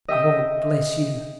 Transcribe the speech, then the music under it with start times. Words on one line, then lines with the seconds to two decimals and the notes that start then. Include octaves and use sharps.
God bless you!'
0.08 D#5 E5 G5 D#6